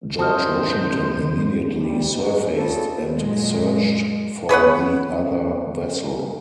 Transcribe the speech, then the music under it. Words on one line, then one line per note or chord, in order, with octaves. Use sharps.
"George Washington" immediately surfaced and searched for the other vessel.
C2 D#4 F#4 C5 A5 D#6 F6
D2 G3
G#2 F#3 G#3
C#3 F3 G3 C4 A4
F#2 A#2 G#3
G#4 B4 C#5 F#5